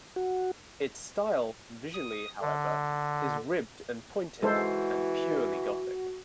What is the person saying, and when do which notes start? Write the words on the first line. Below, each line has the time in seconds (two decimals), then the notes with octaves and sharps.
Its style, visually however, is ribbed and pointed and purely Gothic.
0.16 F#4
1.94 D#6
2.41 D3
4.43 E3 G#3 F#4 A4 C5